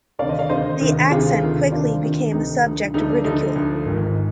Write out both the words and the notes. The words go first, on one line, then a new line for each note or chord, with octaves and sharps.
The accent quickly became the subject of ridicule.
D2 C3 D#3 D5 F5
C5 D#5
D5 F5
D2 C3 D#3 C5 D#5
D2 C3 D#3
D2 C3 D#3 F4 G#4
D2 C3 D#3
D2 C3 D#3 D4 F4
D2 C3 D#3
D2 C3 D#3 D#4
D2 D3 F3
D2 D3 F3 D#4
D4
D2 D3 F3 D#4
D2 D3 F3
G#1 G#2 D#3